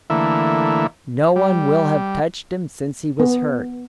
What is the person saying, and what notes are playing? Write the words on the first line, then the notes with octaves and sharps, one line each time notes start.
No one will have touched him since he was hurt.
D3 E3 A3 A#3 E4
G3
B3